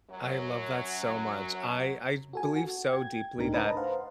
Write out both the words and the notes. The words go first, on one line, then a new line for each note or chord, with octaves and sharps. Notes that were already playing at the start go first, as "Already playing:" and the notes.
I love that so much. I I believe so deeply that
F#2 F#3
F#4 A4 G#5
F#4
G5 G#6
C#2 A2 D4 D#4 A#4
B4 D#5 A5 A#5
C5 F5 F#5